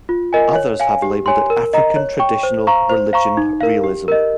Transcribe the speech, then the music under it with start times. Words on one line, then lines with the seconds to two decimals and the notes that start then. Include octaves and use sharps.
Others have labeled it African Traditional Religion realism.
0.09 F4
0.33 A#4 D#5 G#5
0.55 C#5
0.80 F5 G#5
1.02 G4
1.26 C#5 G#5 C6
1.50 A#4
1.73 D#5 A#5
1.96 C#5
2.19 G5 C#6
2.43 C5
2.67 F5 A#5 C#6
2.90 C5
3.13 F5 A#5 C#6
3.37 D#4
3.61 A#4 F5
3.84 G4
4.08 A#4 D#5